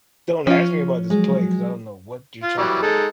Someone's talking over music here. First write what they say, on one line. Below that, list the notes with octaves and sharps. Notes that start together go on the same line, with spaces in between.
"Don't ask me about this play, 'cause I don't know what you're talking about.
F3 C#4 F4
F#3 G#3
F4
E3 F#3 G3
G#3 D#4 A4